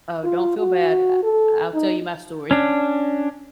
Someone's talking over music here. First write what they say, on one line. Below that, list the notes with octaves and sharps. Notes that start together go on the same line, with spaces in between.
Oh, don't feel bad, I I'll tell you my story,
F4
F#4
A4
D#4
C#4 D4